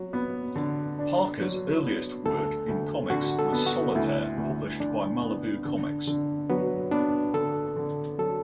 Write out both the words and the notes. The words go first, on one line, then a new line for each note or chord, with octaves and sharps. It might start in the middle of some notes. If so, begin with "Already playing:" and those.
Parker's earliest work in comics was "Solitaire", published by Malibu Comics.
Already playing: F#3
B3
D3
D4
F#3
B3
D2 A4
D2
D3 F#4
A4
B3
F#4
D2 E4
D2
D3 D4
B3
D3
D3
F#3 B3
B3 D4
D3 A4
D3
F#3 A4